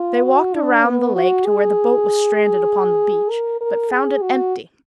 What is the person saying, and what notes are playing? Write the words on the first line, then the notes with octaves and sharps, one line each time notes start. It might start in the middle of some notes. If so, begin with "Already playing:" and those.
They walked around the lake to where the boat was stranded upon the beach, but found it empty.
Already playing: F4
F#4
D4
B3
F#4
G#4
A#4
A#4
G#4
F#4